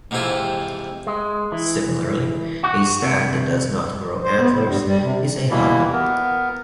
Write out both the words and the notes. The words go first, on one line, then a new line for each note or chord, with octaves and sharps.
Similarly, a stag that does not grow antlers is a hummel.
F2 G#2 C3 E3 E4 F4
G#3
E3
F#4
C3
C5
B3
A2
G2
G3
C3
D#2 B2 E3 G3 A#3 E4
B3 A#4